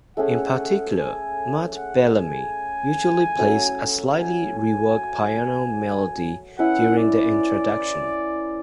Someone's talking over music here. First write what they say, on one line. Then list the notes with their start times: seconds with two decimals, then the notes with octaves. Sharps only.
In particular, Matt Bellamy usually plays a slightly re-worked piano melody during the introduction.
0.17 A3 C#4 G#4 F#5
0.98 G#5
1.77 F#5
2.18 G#5
3.38 F#3 A3 C#4
4.18 G#5
4.59 G#5
6.59 C#4 E4 B4 F#5
6.99 D5